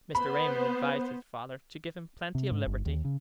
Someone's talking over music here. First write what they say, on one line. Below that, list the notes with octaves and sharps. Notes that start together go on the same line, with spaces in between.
Mr. Raymond advised his father to give him plenty of liberty.
B3 C5 B5
C3
G#2
G1
D#2
C#3